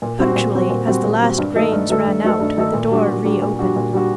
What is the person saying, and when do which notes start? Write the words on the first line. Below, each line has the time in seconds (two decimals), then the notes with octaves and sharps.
Punctually as the last grains ran out, the door reopened.
0.02 A#2
0.19 G3 C4 F#4
0.36 A#2
0.54 G3 C4 F#4
0.70 A#2
0.87 G3 C4 F#4
1.05 A#2
1.21 G3 C4 F#4
1.38 G2
1.55 D#3 A3 D#4 A4
1.72 G2
1.89 D#3 A3 D#4 A4
2.06 G2
2.23 D#3 A3 D#4 A4
2.40 G2
2.57 D#3 A3 D#4 A4
2.74 A#2
2.91 G3 D4 F#4
3.08 A#2
3.25 G3 D4 F#4
3.42 A#2
3.59 G3 D4 F#4
3.76 A#2
3.93 G3 D4 F#4